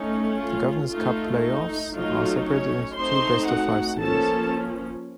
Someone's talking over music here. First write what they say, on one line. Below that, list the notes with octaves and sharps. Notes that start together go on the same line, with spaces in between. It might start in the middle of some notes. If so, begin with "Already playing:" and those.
The Governors' Cup Playoffs are separated into two best-of-five series.
Already playing: A3 C#4 D#4
F4
A3 D#4 F4
D#4
F#3 A3 D#4 F4
C#4 C#5
A3 C4 D#4 C5 C6
F#4 F#5
F3 A#3 C#4 A4 A5